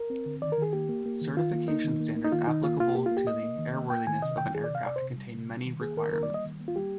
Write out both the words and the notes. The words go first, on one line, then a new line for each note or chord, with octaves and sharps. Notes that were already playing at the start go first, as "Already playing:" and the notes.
Certification standards applicable to the airworthiness of an aircraft contain many requirements.
Already playing: A#4
C4
D3
D#3 D5
A#4
D#3 G#4
A#3 G4
A#3
A#3
D#3
D#3 F4
A#3
A#3 D#4
D#3
A#3
A#3
D#4
D#3 F4
D#3 D#4
A#3 F4
A#3 F4
A#3 G4
F4
A#3
G4
A#3 D#5
A#3
D#3
A#3
A#3 G5
D#3 G#5
C3 D#5
D#3 G5
D#3 G#4
D5
C3
F5
C3 D5
C5
C3
G3
C3
G3
D#3
A#3 G#4
D#3 A#4
A#3 A#4
D5
G3
D#5
D#3
A#3
F4
G3 G4